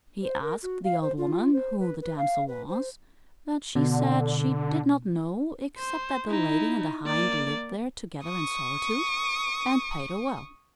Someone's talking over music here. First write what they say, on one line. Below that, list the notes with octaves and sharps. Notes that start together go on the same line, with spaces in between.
He asked the old woman who the damsel was, but she said she did not know, except that the lady and the hind lived there together in solitude, and paid her well.
C5
A#4
F#4
F5
C5
F4
C5
B4
B4
F5
B4
C5
B2 D3
C5
D#4 E4
A#3 D5
C#6 D#6